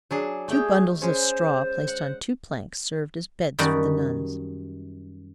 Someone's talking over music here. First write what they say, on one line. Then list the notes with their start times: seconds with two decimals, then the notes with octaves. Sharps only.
Two bundles of straw placed on two planks served as beds for the nuns.
0.11 F#3 D4 G#4
0.48 A3 G4 G#4 G5
1.02 G#3 C#4 C5
1.87 F#5
3.59 F#2 D#3 G3 F#4